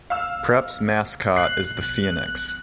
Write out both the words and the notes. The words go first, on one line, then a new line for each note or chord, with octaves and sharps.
Prep's mascot is the Phoenix.
F5 E6
F#6 C7